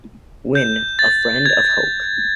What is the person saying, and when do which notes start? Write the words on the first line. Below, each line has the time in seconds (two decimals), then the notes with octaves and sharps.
Wynne, a friend of Hoke.
0.55 G6
0.99 A6
1.46 G#6